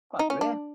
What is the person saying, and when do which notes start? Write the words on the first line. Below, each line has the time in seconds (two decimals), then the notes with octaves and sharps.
Glad you're here.
0.19 D#4
0.30 C#4
0.41 D4